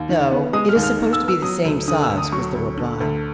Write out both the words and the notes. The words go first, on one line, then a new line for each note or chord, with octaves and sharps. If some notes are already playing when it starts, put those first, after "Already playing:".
"No; it is supposed to be the same size," was the reply.
Already playing: D#2
D#3
B3
G#3 D#6
F6
D#2
F6
D#3
E6
B3
E6
F#3 D#6
D2
D3 D#6
E6
D2
D#6
F#3 C#6
D2
D3
D2